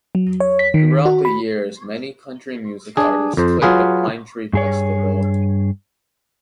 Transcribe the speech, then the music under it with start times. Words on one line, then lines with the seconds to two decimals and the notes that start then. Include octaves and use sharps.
Throughout the years many country music artists played the Pine Tree Festival.
0.15 F#3
0.40 C#5
0.59 B6
0.74 D#3
1.05 F#4
1.25 B5
2.97 D4 G#4
3.37 F2 C5
3.62 F#3 F4 G#4 B4
4.53 G2 G#4 C#5